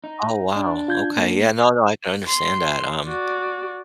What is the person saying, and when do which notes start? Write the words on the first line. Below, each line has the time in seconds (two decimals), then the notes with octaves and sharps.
Oh, wow. Okay, yeah. No, no, I can understand that, um,
0.04 D#4
0.56 D4
0.88 F4 G6 G#6
1.17 A#3
2.26 C6
3.04 F#4 D5